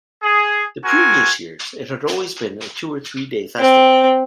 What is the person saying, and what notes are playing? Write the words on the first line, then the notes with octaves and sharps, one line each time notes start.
The previous years it had always been a two- or three-day festival.
G#4
C4 F#4 A#4 G#5
C4